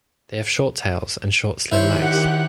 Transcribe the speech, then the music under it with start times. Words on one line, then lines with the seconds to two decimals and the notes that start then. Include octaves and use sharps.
They have short tails and short slim legs.
1.72 D#3 E4 G4 C5 C#5 F#6
2.02 F#5